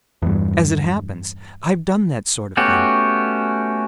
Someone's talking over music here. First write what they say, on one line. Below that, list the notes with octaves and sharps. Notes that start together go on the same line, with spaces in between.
As it happens, I've done that sort of thing.
E2 G2
A3 B3 C#4 F#4 G4